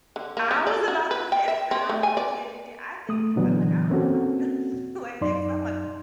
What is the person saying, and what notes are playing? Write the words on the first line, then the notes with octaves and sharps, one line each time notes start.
I was about to it sounds really addicting. I think I like, I don't know if I could be on a show like that 'cause I'm like,
D3
A#3
C#4
D5
F#4
B4
G5
E5
C4
A3
G#5
D5
A3 D#6
A#2 D3 E3 F#3 B3 D4
A#3 C4 C#4 F#4 A4
F#2 D#4 D5 C6